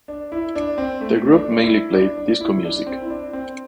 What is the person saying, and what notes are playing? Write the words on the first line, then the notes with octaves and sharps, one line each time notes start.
The group mainly played disco music.
D4
E4
D4
C4
A3
D4
E4
D4
D4
E4
D4
C4
E4
D4
C4